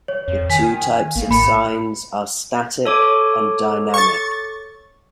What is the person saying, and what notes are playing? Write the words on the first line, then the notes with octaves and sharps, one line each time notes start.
The two types of signs are static and dynamic.
C#5
F2
D#3 G#5 B6
A1 A#3
A2 B5 C#7
A4 C#5 D6
C#6 A6